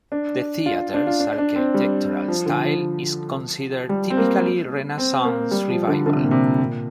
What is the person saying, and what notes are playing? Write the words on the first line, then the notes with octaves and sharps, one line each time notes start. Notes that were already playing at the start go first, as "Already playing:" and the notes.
The theatre's architectural style is considered typically Renaissance Revival.
D4
F4
D4
F4
D4
D4
C4
G3
F3
D3
F3
G3
C4
A#3
C4
A#3
G3
F3
D3
D3
C3
A#2
C3
A#2